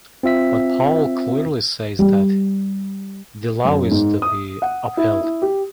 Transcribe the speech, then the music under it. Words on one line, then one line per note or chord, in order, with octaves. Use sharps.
But Paul clearly says that the Law is to be upheld.
C4 F4 E5 B6
G3
F#2
G#2
D#6
F#5
E4
E4
G4